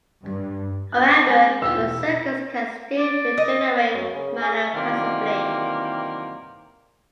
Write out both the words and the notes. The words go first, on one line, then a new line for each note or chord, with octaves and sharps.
However, berserkers can still regenerate mana passively.
G2
F#6 G6
G#3 C4 B4
E2 B2 B3 F4 G4 E6
D5
D#5
F#2
C#3
G#4
C3 D#3 E3 F#3 G3 A#3